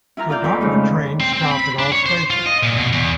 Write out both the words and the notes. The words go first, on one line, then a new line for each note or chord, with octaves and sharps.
"Kodama" trains stop at all stations.
E4 F4 A#5 F6
F4 D5 F5 G6
F2 B5 D6
C#3 G#3 A3 D#4
C4
C4
B5
D4
C#5
C5
F4
D#5
A#2
B2
E2